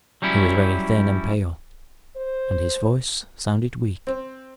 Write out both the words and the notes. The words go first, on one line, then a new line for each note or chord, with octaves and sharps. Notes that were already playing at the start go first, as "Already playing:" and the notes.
He was very thin and pale, and his voice sounded weak.
F#3 G3 C#4 E4
C5
C4